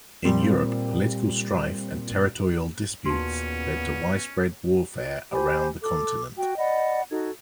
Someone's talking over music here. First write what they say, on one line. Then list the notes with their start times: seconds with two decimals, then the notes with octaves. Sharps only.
In Europe, political strife and territorial disputes led to widespread warfare around the continent.
0.25 A#2 G3 C4
3.06 D#2 A#2 C#3 B3 C#4 D#4 F#4
5.32 G4 C5 G#5 B5
5.82 A4 D6
6.38 F#4 G5
6.58 D5 D#5 F#5 B5
7.10 D#4 F#4 A4 G#6